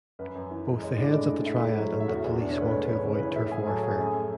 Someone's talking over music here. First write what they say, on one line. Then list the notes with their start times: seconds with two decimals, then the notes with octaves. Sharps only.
Both the heads of the Triad and the police want to avoid turf warfare.
0.19 F#2 B4
0.35 F#2
0.51 E3
0.66 G#3
0.82 G#3 C#5
0.98 A2 D4 D5
1.14 G#3
1.30 A2
1.46 A2 E4 E5
1.61 A2
1.77 F#3
1.93 A3
2.00 E5
2.08 E2 F#4 F#5
2.24 E2 E4 E5
2.40 B2 D4 D5
2.51 C#5
2.57 A3 B4
2.66 D5
2.72 G#3 C#5
2.83 B4
2.88 F#2 C#5
3.04 C#3 C#5
3.14 B4
3.20 E3
3.25 C#5
3.35 A2 E4 E5
3.51 A2 G#4 G#5
3.67 F#3 A4 A5
3.82 A3 G#4 G#5
3.98 F#2